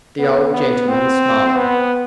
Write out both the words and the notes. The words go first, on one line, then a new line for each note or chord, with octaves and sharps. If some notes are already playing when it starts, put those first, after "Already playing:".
The old gentleman smiled.
B3
B3
C4
B3